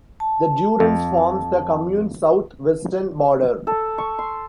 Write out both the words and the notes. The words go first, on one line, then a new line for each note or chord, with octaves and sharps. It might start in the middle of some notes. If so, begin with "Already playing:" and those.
The Durance forms the commune's south-western border.
A5
F2
A4
C#6
C6